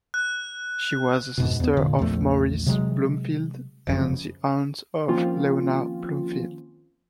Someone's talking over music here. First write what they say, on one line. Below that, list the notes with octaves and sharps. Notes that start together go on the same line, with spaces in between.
She was the sister of Maurice Bloomfield and the aunt of Leonard Bloomfield.
F#6
F2 G#2 B2
E2 B3
F1 A#2 D3
A#1 E2 F3 A3
C3 F#3 G#3
F1 F#2 C#3 F3
D#3 F3 A#3 C4 C#4 F4